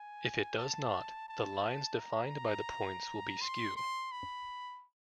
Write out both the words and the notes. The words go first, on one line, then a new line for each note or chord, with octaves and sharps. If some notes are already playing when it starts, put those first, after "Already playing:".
If it does not, the lines defined by the points will be skew.
Already playing: G#5
A5
A5
A#5
C6
C6
B5